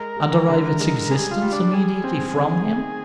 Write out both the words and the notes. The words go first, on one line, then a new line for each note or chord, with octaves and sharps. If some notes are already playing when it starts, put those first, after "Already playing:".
'And derive its existence immediately from Him?'
Already playing: G#3 A#4
G#3
D3
G#3
G3 G#4
F4
G3
D4
G3 G#4
C4
D#3
D#3